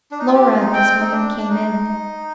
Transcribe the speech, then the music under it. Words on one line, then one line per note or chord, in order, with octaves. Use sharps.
Laura at this moment, came in.
D4
D#4
F4
G4
F4
D#4
C4 G5
D#4
D4
D4
D#4